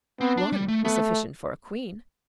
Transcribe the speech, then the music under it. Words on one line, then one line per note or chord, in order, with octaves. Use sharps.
One is sufficient for a queen.
B3 C4
D4
G3
A3
A3 B3